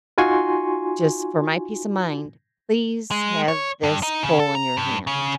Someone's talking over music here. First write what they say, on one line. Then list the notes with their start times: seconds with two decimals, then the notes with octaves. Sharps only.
just for my peace of mind, please have this pole in your hand."
0.18 D#4 F4 F#4 G#5 C6 C#6
3.11 G#3
3.48 C#5
3.83 G2
4.03 D#4
4.23 C#3
4.40 A4
4.55 A#5
4.77 G2
5.07 C#3